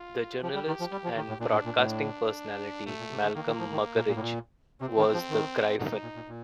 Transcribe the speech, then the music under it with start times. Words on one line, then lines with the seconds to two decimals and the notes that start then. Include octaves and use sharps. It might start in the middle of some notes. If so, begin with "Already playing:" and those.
The journalist and broadcasting personality Malcolm Muggeridge was The Gryphon.
Already playing: F4
0.43 F3 G4
0.55 G3
0.67 D#3
0.80 F3
0.92 G3
1.04 F3
1.16 D#3
1.28 A2
1.40 A#2 D4
1.52 A2
1.65 A#2
1.77 A2
1.89 D4
2.86 A#2 A3
2.99 A#2
3.11 C3
3.23 D3
3.35 D#3 A#3
3.47 D#3
3.60 F3
3.72 D#3
3.96 A#2
4.08 A#2
4.16 A2
4.21 A#2
4.81 C3 C4
4.98 D#3
5.14 F3
5.30 D#3
5.79 D3 D#4
5.91 C3
6.02 A#2
6.15 A#2
6.28 A#2